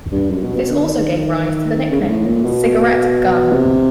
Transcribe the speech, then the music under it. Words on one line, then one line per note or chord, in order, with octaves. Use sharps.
This also gave rise to the nickname, "cigarette gun".
G2
F#2
B2
B2
D3
D#3
C#3
G#2
A2
A#2
B2
C3